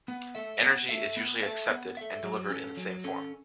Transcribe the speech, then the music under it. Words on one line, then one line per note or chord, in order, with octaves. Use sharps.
Energy is usually accepted and delivered in the same form.
B3
A4 E5
B3
A4 E5
B3
A4 E5
B3
A4 E5
F#3
C#4 A4
F#3
C#4 A4